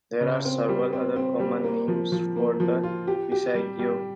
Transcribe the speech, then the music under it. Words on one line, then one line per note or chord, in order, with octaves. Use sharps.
There are several other common names for the "passaggio".
C#3
C4
G3
C4
C4
G3
A#3
F3
F3
A#3
F3
F4
G4
G4
G3
G3